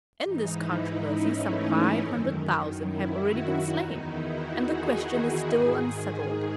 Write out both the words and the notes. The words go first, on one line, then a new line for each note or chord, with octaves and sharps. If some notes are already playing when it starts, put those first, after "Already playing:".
In this controversy some five hundred thousand have already been slain, and the question is still unsettled.
G#2 E3 D#4
E4
D#4
C#4
A3
E4
F#2 D#3
E4
F#4
E4
E2 D#3 D#4
E4
F#4
G#4
G#2 D#3